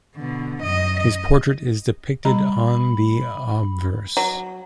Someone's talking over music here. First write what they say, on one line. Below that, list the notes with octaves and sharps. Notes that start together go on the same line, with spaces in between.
His portrait is depicted on the obverse.
B2 D3
F#2 D#5
D#5
G3 A#5 B5
F#3